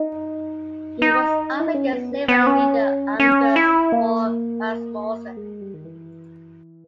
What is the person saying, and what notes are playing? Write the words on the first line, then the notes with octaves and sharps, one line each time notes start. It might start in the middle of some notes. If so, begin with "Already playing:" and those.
He was up against Liberal leader Anders Fogh Rasmussen.
Already playing: D#4
D#4
E4
D#4
C#4
B3
B3
C#4
C#4
E4
A#3
G#3
G3
D#3
E3